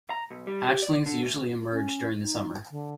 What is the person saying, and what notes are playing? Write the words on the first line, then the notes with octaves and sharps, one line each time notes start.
Hatchlings usually emerge during the summer.
A#5
B1
G3
G4
D5
D3
D2
C#4
D#4
D3